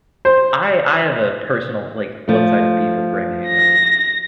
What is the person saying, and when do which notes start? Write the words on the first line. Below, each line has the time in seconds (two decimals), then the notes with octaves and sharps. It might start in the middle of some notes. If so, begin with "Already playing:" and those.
I I have a personal like one-sided beef with Graham Hancock.
0.25 C5
2.28 F3 A3
3.48 A#6